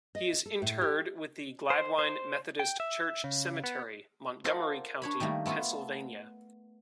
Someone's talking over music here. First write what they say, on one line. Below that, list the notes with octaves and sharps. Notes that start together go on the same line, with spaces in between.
He is interred in the Gladwyne Methodist Church Cemetery, Montgomery County, Pennsylvania.
D#5
A4
A2
G4
C5
C5
G5
E5
C#3
B3
F4 A4 A#4 C5 D5 F#5
D4 C#5 B5
D#3 G3 A3 A#3
A3 B3 F4 A4